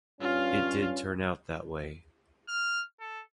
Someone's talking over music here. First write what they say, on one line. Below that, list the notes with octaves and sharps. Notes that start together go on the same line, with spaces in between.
It did turn out that way.
G2 C#4 F4 F5
F6
A4